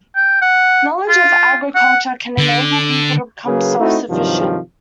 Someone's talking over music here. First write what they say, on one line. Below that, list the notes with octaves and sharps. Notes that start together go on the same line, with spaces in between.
Knowledge of agriculture can enable people to become self-sufficient.
G5
F#5
F4
F#5
D3
C#3 F#3 A#3 G#4 B4
A3 C4 D#4 E4 F#4
G2 C3 D#3 F3 F#3